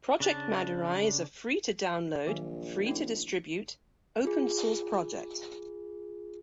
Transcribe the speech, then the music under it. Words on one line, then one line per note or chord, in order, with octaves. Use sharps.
Project madurai is a free to download, free to distribute open source project.
C#3 D4 A5
A#1 D#3 F#3 G#5
A3 C#4 D#4
F4 G#4